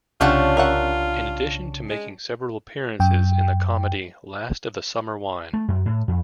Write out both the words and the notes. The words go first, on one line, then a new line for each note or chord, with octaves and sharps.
In addition to making several appearances in the comedy Last of the Summer Wine.
C2 C#3 A3 C#4 D4 F4 G4 F#5
A#4 E5 F#5
G#3
F#2 G5
A3
F#2
A2
F2